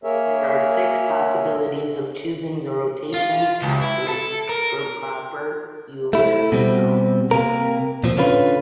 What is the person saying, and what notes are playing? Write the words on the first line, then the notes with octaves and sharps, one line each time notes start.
There are six possibilities of choosing the rotation axes for proper Euler angles.
A#3 G#4 A#4 C#5 E5
F4
C#2
E4
A4
A#4
A3 E4
B2 G3 C4
C3 A#3 A#4
A#2 F3 C4
D3 C#4 F4 B4